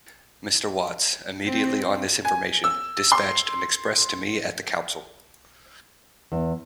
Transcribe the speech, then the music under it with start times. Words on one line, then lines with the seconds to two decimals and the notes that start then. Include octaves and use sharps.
Mr. Watts, immediately on this information, dispatched an express to me at the council.
1.45 C4
2.25 G#5
2.64 E6
3.12 C6
6.32 E2